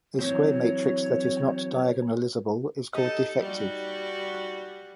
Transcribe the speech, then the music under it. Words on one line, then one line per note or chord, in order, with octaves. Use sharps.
A square matrix that is not diagonalizable is called defective.
E3 F#3 C4 C#5
D#4 G4 A4 D#5
G3 F#4